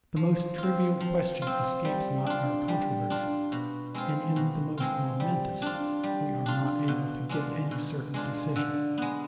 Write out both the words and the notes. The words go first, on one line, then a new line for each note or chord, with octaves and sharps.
The most trivial question escapes not our controversy, and in the most momentous we are not able to give any certain decision.
F3
C4 F4
F3
C4 F4
G3
D4 F4
G3
D4 F4
B2
G#3 C4 F4
B2
G#3 C4 F4
G3
D4 F4
G3
D4 F4
B2
G#3 D4 F4
B2
G#3 D4 F4
D3
G#3 B3